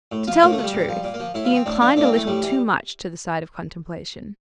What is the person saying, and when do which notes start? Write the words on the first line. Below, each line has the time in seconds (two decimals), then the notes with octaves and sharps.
To tell the truth, he inclined a little too much to the side of contemplation.
0.12 A2
0.27 F3 F4
0.42 A2 A#3
0.53 A3
0.58 F3
0.63 G3
0.73 A#2
0.89 F3
1.04 A#2
1.14 A#3
1.20 F3
1.34 A2 E4
1.45 F4
1.50 F3 C4
1.66 A2 D4
1.81 F3 D4
1.96 A2 D4
2.02 A#3
2.07 C4
2.12 E3 A3
2.27 A2 G3
2.43 E3